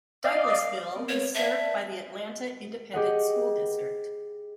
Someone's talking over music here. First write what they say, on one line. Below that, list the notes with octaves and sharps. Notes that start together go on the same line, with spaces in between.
Douglassville is served by the Atlanta Independent School District.
D5 D#5 F5
B3 C4 A#4
B4 C#5
D5 E5 A5
G4 G#4 D#5 F#5